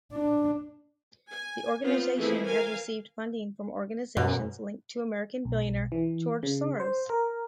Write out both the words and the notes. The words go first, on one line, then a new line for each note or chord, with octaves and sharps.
The organization has received funding from organizations linked to American billionaire George Soros.
D4
G#5
B3 C4 F4
E3 F3 A3 E4 G#4
A#4 F5 G#5
F#2 B2
B1
E3
C#3
C5
A#4